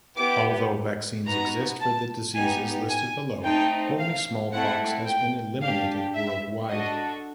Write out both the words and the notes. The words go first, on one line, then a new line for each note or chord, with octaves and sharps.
Although vaccines exist for the diseases listed below, only smallpox has been eliminated worldwide.
B3 E4 G4 D6
B3 D#4 F#4 A#5
A5
B3 D#4 G4 G#5
G#5
A3 C4 D#4 G5
F5
A3 C4 E4 F#5
G5
D4 G4 F5
E5
D4 F#4 A4 D#5